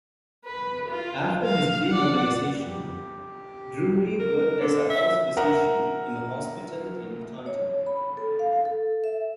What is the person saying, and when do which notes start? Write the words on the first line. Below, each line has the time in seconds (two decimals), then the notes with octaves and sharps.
After his demobilisation, Drury worked as a House Physician in a hospital in Taunton.
0.45 B4
0.88 F4
1.45 F5
1.88 D5 F#5
2.59 G4
4.19 A#4
4.60 D3
4.90 E5
5.37 A#4 E5 F#5 A#5
7.46 C#5
7.86 B5
8.17 A4
8.39 F5
8.65 A4
9.04 E5